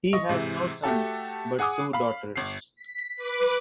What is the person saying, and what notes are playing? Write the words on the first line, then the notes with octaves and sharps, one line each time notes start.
He had no son but two daughters.
D#5 C#6
G#2 C3 E3
A3 F#4 G4 A4
G#4 F#5 G#5 D6 D#6
F5 B5
G1 C7
B6
B4 D6